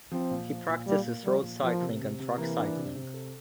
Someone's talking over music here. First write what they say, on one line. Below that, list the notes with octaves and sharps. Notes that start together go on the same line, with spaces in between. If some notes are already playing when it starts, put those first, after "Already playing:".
He practices road cycling and track cycling.
F3 C4
A#2
F3
A#2
A#2 G3
A#3
F3 G3
A#2
F3 A#3
C3
C3
C3
E3 A#3
D4
C3
C3
A4